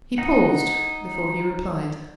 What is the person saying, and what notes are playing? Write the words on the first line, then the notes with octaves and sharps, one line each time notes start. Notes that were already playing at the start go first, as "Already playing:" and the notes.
He paused before he replied.
D#4 F#5